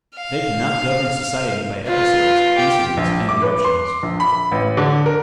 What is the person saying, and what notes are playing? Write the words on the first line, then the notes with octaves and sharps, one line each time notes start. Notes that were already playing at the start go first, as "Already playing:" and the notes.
They cannot govern society by episodes, incidents, and eruptions.
F5
F4 B4
G4
A#1
D6
B4
C6
A#1
B5
A1
D3
A#4